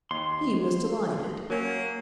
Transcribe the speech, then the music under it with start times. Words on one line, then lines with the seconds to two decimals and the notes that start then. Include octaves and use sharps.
He was delighted.
0.11 D#2 C6
1.50 F#3 A#3 C#4